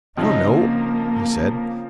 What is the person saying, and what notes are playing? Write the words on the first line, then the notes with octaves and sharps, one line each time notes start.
"I don't know," he said.
C#3 F3 C4 D#4
A#3